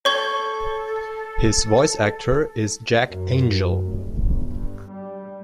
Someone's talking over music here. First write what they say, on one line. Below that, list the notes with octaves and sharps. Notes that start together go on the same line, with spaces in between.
His voice actor is Jack Angel.
A4 C#5 C#6 G#6
F#2
F#2
F1
G1
G2
G3